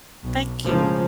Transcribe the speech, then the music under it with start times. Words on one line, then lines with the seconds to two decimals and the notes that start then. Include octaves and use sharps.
Thank you.
0.24 B1
0.63 A2 C#3 F3 G#3 A#3